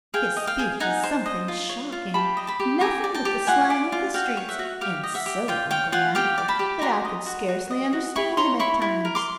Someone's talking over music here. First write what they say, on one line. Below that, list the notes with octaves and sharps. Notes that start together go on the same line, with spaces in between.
His speech is something shocking; nothing but the slang of the streets, and so ungrammatical that I could scarcely understand him at times.
G#4 F5 G5
D#5
F5 G5
G#4
D#4 F#5 G#5
C5
D#5
F4
C#5
F4
G4 A5 B5
D#5
A5 B5
G4
G4 G#5 A#5
D5
G5 A5
G4
F4 F#5 G#5
D5
F4
F#4 F5 G5
C#5
E5 F#5
F#4
G4 F5 G5
D#5
E5 F#5
G4
F4 F5 G5
C#5 F5 G5
F4 F#5 G#5
G4 F5 G5
D5
A5 B5
G4
F#4 A#5 C6
D#5
F#4
F#4
D#5
F#4
E4 B5 C#6
C#5 A#5 C6
E4 B5 C#6
E4
A#4
C6 D6